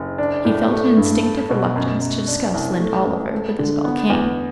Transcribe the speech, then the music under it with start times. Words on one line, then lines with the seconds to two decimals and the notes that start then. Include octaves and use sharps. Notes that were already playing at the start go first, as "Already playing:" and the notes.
He felt an instinctive reluctance to discuss Lynde Oliver with Isabel King.
Already playing: F#1
0.18 D4
0.45 A2
0.71 A3
0.97 G2
1.23 A4
1.49 B2
1.76 F#2
2.01 F#2
2.28 D4
2.54 C2
2.80 A3
3.06 A1
3.33 A4
3.59 D3
3.84 B3
4.10 E2